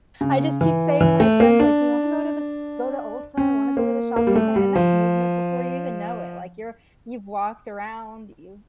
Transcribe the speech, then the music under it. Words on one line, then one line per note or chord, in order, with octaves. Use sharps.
I just keep saying to my friends, like, "Do you wanna go to the st go to Ulta? Wanna go to the shopping center?" And that's movement before you even know it, like, you're you've walked around, you've
C#3
E3
E3
A3
A#3
D4
C#4
A#3
A#3
G3
A3
G3
F3